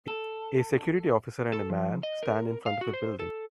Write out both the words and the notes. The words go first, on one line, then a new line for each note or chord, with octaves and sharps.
A security officer and a man stand in front of a building.
A4
A4
F3
D#5
A#4
F5
F#4
C5
A4